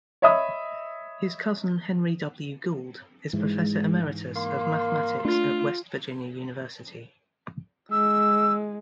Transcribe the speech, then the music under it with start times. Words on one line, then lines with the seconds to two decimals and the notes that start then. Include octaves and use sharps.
His cousin Henry W. Gould is Professor Emeritus of Mathematics at West Virginia University.
0.22 C#5 D#5 E5 B5 D#6
3.33 G#2 E3 G#3
4.35 A#3 C6
5.25 A3 D4 F4
7.91 G#3 E6